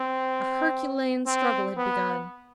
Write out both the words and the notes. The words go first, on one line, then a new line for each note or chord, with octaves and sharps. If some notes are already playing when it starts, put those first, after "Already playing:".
A herculean struggle had begun.
Already playing: C4
C4
B3